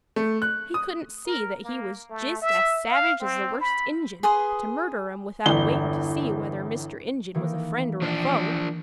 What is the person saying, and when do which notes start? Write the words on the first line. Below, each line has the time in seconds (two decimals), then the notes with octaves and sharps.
He couldn't see that he was jist as savage as the worst Injun, to murder 'em without waitin' to see whether Mr. Injun was a friend or a foe.
0.16 A3
0.42 F#6
0.74 D#6
1.26 A#4
1.64 A#3
2.10 A3
2.42 E5
2.91 F5
3.21 C4
3.61 B5
4.23 G#4 B4 C6 D#6
5.46 G1 E2 G7
7.34 D#3 E3 A#3
8.02 F3 D4